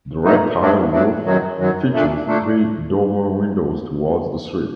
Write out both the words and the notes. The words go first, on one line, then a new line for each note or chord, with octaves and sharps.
The red tile roof features three dormer windows towards the street.
G2 F#3 A3 D#4
G2 F#3 A3 D4
G2 F#3 A3 D4
F#2 D#3 F#3
F#2 D#3 F#3
A#2 A3 D4
A#2 A3 D4